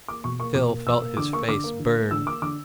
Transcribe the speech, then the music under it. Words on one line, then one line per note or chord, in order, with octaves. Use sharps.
Phil felt his face burn.
A#3 D6
B2 C#6
A#3 C#6
B2 D6
A#3
B2 E6
A#3
D3 D6
A#3 C#6
D3 D6
A#3
D3
A#3
D3 E6
A#3 D6
D3 D6